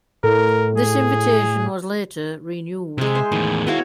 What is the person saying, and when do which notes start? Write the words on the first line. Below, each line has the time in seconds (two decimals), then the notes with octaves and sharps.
This invitation was later renewed.
0.24 A2 A4 A#4
0.77 G#4
2.98 C3 G#3 E5
3.15 C5
3.32 E2 A2 D#3
3.67 B3 E4 F#4 C#5 F5